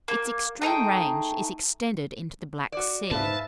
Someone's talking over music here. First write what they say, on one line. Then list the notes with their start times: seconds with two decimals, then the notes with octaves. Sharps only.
Its extreme range is extended into the Black Sea.
0.08 A#3
0.62 A3 D#4 G#4 G5
2.72 F#4 D5
3.11 G#2 B4 E5 F5 A5